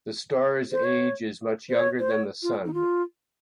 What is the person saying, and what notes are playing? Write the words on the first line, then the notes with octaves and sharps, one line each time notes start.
The star’s age is much younger than the Sun.
C5
C#5
C5
C#5
C5
C#5
F4
D#4
F4